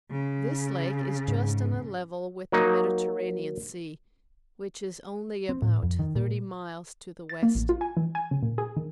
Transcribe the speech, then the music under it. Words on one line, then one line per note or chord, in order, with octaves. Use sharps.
This lake is just on a level with the Mediterranean Sea which is only about thirty miles to the west.
C#3
G#2
F#3 A#3 D#4
C4
A2
F2
D#3
A#2
A6
A#3
A1
F4
G#5
E3
G#5
C#3
A#2
G#4
D#3